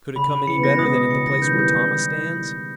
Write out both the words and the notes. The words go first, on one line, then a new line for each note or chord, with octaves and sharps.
"Could it come any better than at the place where Thomas stands?"
C#3 B5
C#3 B5
E3 C#7
B3
G#3 A#6
B2 D#6
D#6
C#3 C#7
D#3 A#6
E3 G6
G3
G6